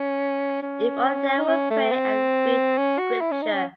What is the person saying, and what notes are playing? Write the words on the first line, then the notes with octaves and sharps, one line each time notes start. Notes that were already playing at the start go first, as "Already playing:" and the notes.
If only they would pray and read Scripture!
Already playing: C#4
C#4
D#4
C#4
A3
C4
C#4
F#4
E4
C#4
D#4
C#4